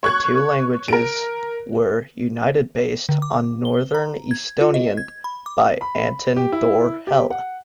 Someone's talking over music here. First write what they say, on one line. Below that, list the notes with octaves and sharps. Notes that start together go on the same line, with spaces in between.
The two languages were united based on northern Estonian by Anton thor Helle.
C#5 C#6 F#6 G#6
A#4 D7
D3
D6
G7
A#5
G#6
F4
D#5
G#6
B5
D6
B5
G4
E4
G4
F#5